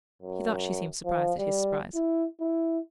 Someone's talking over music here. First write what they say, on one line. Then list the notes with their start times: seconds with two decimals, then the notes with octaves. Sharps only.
He thought she seemed surprised at his surprise.
0.22 F#2
1.05 F3
1.38 G3
1.95 E4
2.40 E4